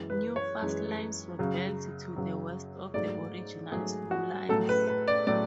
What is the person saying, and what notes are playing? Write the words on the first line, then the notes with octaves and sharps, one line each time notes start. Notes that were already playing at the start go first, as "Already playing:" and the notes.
New fast lines were built to the west of the original slow lines.
Already playing: F#2 E3 G#3
B4
C#5
F#2 E3 G#3
F#2 C#3 F#3
F#2 C#3 F#3
G#2 F#3 A3 D5
G#2 F#3 A3 G#4
F#4
A2 F#3 A3 A4
B4
B4
D5
A2 F#3 A3 D5